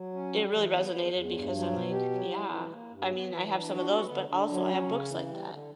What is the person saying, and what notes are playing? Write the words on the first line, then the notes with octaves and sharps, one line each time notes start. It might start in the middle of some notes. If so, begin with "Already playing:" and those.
it really resonated because I'm like, "Yeah, I mean, I have some of those, but also I have books like that."
Already playing: F#3
C#4
G3
E3
B3
E2
E2
G2
F#3
B2
G4
F#3
E4
E3
A#3
G2
B3
E3
D4
F#4
B3
D3
D3
F#3
C#4
C#3
E3
G3
D3